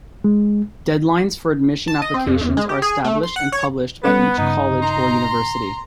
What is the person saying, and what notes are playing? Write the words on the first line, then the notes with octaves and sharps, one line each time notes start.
Deadlines for admission applications are established and published by each college or university.
G#3
A5
D#5
C4
F2
E2
G#3
G4
G#4
A3
C6
F#5
C#5
G3 B3 C#4 A4 B4
G2 C#3 D#4
A#5 C6